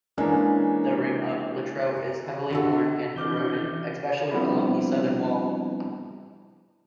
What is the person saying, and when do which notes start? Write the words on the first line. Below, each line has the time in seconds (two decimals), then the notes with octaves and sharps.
The rim of Littrow is heavily worn and eroded, especially along the southern wall.
0.18 E3 G#3 A#3 C#4 D4
2.50 D3 F#4 A4
3.16 E3 C4 D4 A4 D6 F6 G6
3.56 C#4 E5
4.31 F3 G3 B3 C4 D4 E4